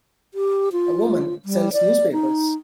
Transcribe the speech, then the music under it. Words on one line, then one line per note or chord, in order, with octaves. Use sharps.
A woman sells newspapers.
G4
F4
G3
D5
D#4